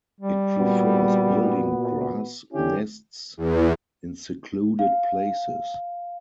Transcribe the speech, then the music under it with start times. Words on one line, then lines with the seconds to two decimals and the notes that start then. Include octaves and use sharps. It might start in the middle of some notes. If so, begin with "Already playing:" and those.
It prefers building grass nests in secluded places.
0.20 G3
0.59 A#2 B3 F#4
2.53 D3 C#4 E4 G4
3.37 E2
4.79 F5